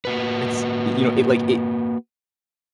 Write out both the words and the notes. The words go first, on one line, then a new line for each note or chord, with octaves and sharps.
It's, you know, it, like, it
A#3 F#4 B4